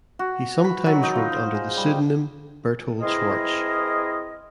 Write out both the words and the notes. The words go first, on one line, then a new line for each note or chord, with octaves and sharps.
He sometimes wrote under the pseudonym Berthold Schwarz.
F#4
B5
F#3
D#4
F4
C5
G#4
G3
E3 C4 E4 G#4 A#4 D#5